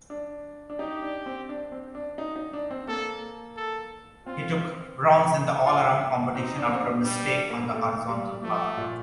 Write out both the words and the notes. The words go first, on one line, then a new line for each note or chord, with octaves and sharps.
He took bronze in the All-Around competition after a mistake on the horizontal bar.
D4
D4
D#4 G4
D4
C4
D4
C4
D4
D#4
D#4
D4
C4
A#3 A4
A4
C4 F4
F4
C4 D#4
D4
A#3
C4
D4
G3 D4
D4
A#3
A3
G3
F3 A3
A#2